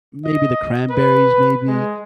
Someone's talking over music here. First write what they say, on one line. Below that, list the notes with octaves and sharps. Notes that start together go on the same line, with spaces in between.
maybe The Cranberries, maybe?
D#5
B4
G#3